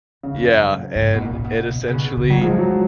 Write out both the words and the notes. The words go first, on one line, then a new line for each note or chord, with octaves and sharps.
Yeah, and it essentially, u
F#2 C#3
F2
F#2
G#2
B2
A#2
A#2
B2
B2
C#3
B2
C#3
F#3
F3 G#3
F#3